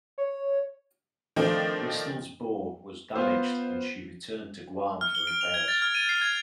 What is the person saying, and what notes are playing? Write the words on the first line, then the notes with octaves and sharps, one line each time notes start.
"Bristol"s bow was damaged and she returned to Guam for repairs.
C#5
D#3 F3 A3 C4 D4
B3 F4 C5
F6
G7
D7
F7
G#6
A6
F6
D#7
C7
G#6